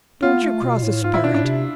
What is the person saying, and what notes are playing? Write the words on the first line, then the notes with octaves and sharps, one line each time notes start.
"Don't you cross a sperrit."
B3 F4
A3
B2
A2
G#2 F4
A2 E4
B2 D4
A2 D4
C3